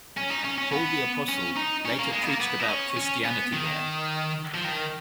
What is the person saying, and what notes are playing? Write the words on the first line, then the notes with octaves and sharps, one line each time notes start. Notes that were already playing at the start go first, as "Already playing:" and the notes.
Paul the Apostle later preached about Christianity there.
C#4
D#4
C#4
C#4
B3
C#4
D#4
C#4
A#3
G#3
B3
A#3
B3
D#4
C#4
C#4
B3
D#3
F3
D#3